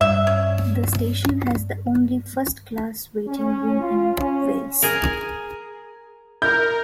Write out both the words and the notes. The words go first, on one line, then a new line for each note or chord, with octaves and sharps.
The station has the only First Class waiting room in Wales.
G2 E5
C#4
C#4
F4
C#4
G#4 A#4
A#4 G6